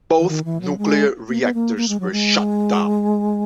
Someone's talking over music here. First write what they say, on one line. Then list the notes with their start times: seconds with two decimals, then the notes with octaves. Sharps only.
Both nuclear reactors were shut down.
0.20 E3
0.29 D#3
0.45 E3
0.61 F#3
0.78 G#3
1.28 A#3
1.42 B3
1.54 A#3
1.77 A#3
1.89 G#3
2.00 F#3
2.11 G#3